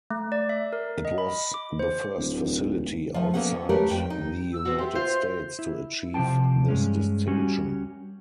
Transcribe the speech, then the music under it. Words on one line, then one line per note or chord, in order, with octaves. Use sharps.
It was the first facility outside the United States to achieve this distinction.
A3
D5
E5
A#4
D#5
B5
D6
C5
D1
F3 A3
A#3 B3 C#4 A4 F#5
E3 A3 G4 A#4 B4 C#5
F2 G5
D#4
E6
B3 C4 F#4
G4 E5 C6
F4 C5
E4
C3 F3 G4 C5 G5 A5
G2 G#3 C#4
G3 C#4 F#4 G4